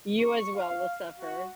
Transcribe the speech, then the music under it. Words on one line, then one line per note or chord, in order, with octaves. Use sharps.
You as well will suffer.
C#6
F5
F#4